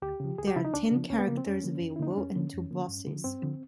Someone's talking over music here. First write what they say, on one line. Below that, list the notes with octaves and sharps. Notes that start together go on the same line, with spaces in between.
There are ten characters available, and two bosses.
D2 G4
C#3 F3
D2 G#4
G4
C#3 F3 E4
D#4
D2 D4
C#3 F3
D2 C#4
B3
C#3 F3 A#3
C4
F2 C#4
D3 F3 A#3
F2
E4
D3 F3 A#3 D#4
D4
F2 C#4
D3 F3 A#3
F2
D3 F3 A#3
G2
D3 F3
G2 C4
D3 F3